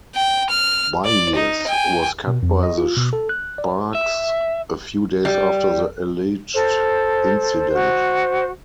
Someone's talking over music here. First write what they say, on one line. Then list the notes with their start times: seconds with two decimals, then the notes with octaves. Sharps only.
Byears was cut by the Sparks a few days after the alleged incident.
0.16 G5
0.50 F6
1.05 D5
1.36 D#4
1.67 G5 G#5
2.27 B2
2.43 F2
2.63 D#5
2.78 F4
2.97 B2
3.13 A4
3.29 F#6
3.58 D5
3.95 E5
5.25 G3
6.54 A4 C5
7.72 F#4